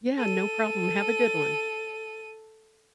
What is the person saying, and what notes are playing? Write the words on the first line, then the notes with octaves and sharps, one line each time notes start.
Yeah, no problem, have a good one.
A4 D#7